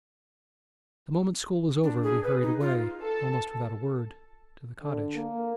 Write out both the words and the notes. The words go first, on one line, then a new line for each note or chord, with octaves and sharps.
The moment school was over, we hurried away, almost without a word, to the cottage.
D4
G#4
B4
D#4
F4
A4
D3
A#3